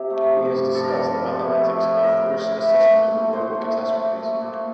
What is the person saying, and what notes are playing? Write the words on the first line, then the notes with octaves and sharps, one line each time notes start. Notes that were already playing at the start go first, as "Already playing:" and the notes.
He has discussed the mathematics of risk assessments for global catastrophes.
Already playing: C3 G4
A3
F3
G2
F3 A4
A#4
G2 A4
F3
A2
A3
A2
A2 A#4
A2
E3
A3
A#2
A3
A#2 C5
A3
A3
A#2
A3
A#2